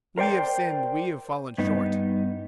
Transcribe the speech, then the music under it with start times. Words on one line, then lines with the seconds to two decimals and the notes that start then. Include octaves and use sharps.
We have sinned, we have fallen short.
0.18 A#4 C5 D5 G5
1.58 G2 B3 D#4